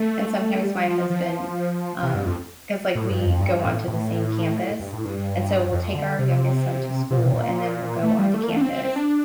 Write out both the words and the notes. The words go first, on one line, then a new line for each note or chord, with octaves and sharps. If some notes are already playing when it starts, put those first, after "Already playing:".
and sometimes my husband, um 'cause, like, we go onto the same campus, and so we'll take our youngest son to school and then we'll go onto campus
Already playing: A3
A3
G3
F3
F3
C3
G2
F2
A2
G2
F2
G2
A2
A2
G2
A2
G2
F2
D3
C3
C3
A#2
C3
A#2
A3
G3
A3
A#3
A3
D4
C4
C4
C4
D4